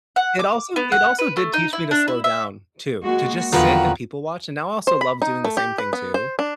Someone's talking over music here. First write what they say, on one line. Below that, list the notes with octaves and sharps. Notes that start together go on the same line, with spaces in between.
it also it also did teach me to slow down too, to just sit and people watch, and now I also love doing the same thing too,
F#5
D6
B3
F#5
B4
A3
D#4
E4
D4
E4
E5
G#3 A#3 F#4
E2 D3 D#3 F3 F#3 F4 F#4 B4
C5
B5
D#4
A3
G4
B4
B3
C5
D4